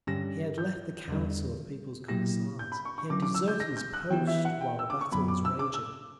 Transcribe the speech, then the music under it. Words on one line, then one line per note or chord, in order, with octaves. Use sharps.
He had left the Council of People's Commissars; he had deserted his post while the battle was raging.
G2 D3 G3 C#4 G4 A#6
G6
E2 D3 G3
A#2 F#3 A#3 E4 G4 A#6
G6
B5
C#6
C#6
D3 F#3 C#4 E4 D6
D6
E6
G6
A#6
G6
F#6
E3 B3 E4 G4 G5
E5
F#5
G5
E6
D6
C#6
F#2 D3 F#3 B3 B5
D6
E6
D6
E6